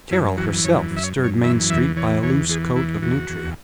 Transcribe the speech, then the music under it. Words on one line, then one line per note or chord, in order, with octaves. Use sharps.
Carol herself stirred Main Street by a loose coat of nutria.
F#2 E4
E3 F#4
F#2 C#5
F#2
E5
C#5
F#2
C#5
E3 E5
E2 E5
E3 C#5
E2 C#5
E3 G#4
E2 E4
E2 F#4
E2